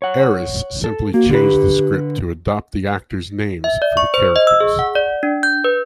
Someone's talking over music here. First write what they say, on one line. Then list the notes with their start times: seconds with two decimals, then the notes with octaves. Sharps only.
Erice simply changed the script to adopt the actors names for the characters.
0.02 C#5 F#5
0.84 A4
1.14 A#3 F#4
1.30 D3 G4 B4
3.64 E5
3.82 D5
3.97 C#6
4.14 C5
4.36 D#5
4.47 E6
4.60 G#4
4.79 F#5
4.95 D5
5.23 D4
5.43 G6
5.64 B4